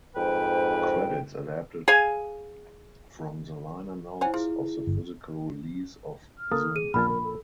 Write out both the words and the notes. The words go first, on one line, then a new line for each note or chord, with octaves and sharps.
Credits adapted from the liner notes of the physical release of "Zoom In".
F2 G#2 B4 G5
G#4 F5 G#5
E4 C5 C#5 F#5 G#5
E4 F4 G#4
G1
F6
A#3 A4 A5 D#6
G#4 D#7
A#1 A#2 A5 B5 F6
A#4
A4